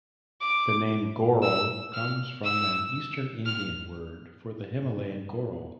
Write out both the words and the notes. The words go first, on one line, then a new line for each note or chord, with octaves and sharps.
The name "goral" comes from an eastern Indian word for the Himalayan goral.
D6
E6
F6
E6
F6